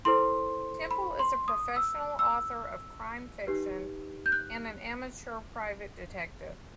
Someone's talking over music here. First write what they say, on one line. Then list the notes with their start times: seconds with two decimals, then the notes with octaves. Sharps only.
Temple is a professional author of crime fiction and an amateur private detective.
0.05 E4 A4 C5 C6
0.91 B5
1.19 C6
1.48 D#6
1.76 E6
2.19 E6
3.47 D#4 G4 B4
4.26 G6
4.32 F#6